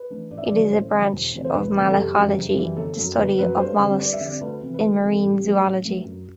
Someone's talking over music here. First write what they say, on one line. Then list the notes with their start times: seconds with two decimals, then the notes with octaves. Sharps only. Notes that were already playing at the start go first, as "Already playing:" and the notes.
It is a branch of Malacology, the study of molluscs, in marine zoology.
Already playing: B4
0.10 E3 A3 D4
0.31 A1 D5
0.38 E5
0.45 D5
0.52 G2 D3 F#3
0.72 A1 C5
0.92 G2 D3 F#3
1.13 E1
1.33 D2 C3 E3
1.44 C5
1.54 E1 B4
1.75 D2 C3 E3
1.91 A4
1.95 F#1 G4
2.16 F#2 E3 G3
2.36 F#1
2.56 F#2 E3 G3
2.77 G1 A4
2.97 F#2 F#3
3.18 G1 B4
3.39 F#2 F#3 B4
3.59 G2 C5
3.79 D3 G3 C4
4.00 G2 D5
4.13 E5
4.21 D3 G3 C4 D5
4.41 D2 B4
4.61 C3 E3 B3
4.74 B4
4.82 D2 A4
5.03 C3 E3 B3
5.12 A4
5.23 A1 G4
5.44 G2 F#3 A3
5.64 A1
5.85 G2 F#3 A3
6.05 F#2